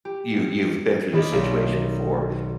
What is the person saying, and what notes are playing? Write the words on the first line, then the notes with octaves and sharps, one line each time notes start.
you you've been through this situation before.
G4
D#3 D#4 B4 D5
B1 A#3